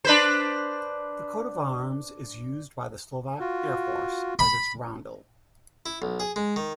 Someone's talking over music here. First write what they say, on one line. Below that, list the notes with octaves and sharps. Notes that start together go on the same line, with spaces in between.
The coat of arms is used by the Slovak Air Force as its roundel.
D4 B4 C5
F4 F#4
B5
E4
B1
G#4
G#3
D#3